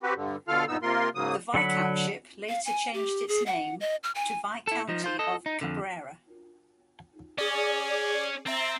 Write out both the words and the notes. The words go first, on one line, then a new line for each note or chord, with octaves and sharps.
The viscountship later changed its name to viscounty of Cabrera.
C4 F#4 G4 B4
G2 D3
B2 D3 F4 A4 F5 F6
G2 A#2 B3 D#4 E6
C3 A#3 F4 A#4 C6
G#2 C#3 F#3 A#3 D#6
D3 F#3 F#5 B5
F5
G#5
G4
G#4
F#5
D#5
F6
G#5
E4 A4
F3 D#4
F4 C5
A4 D#5
D#4
F2 D3
C#4 G#4 D5
C4 E5 A#5 A6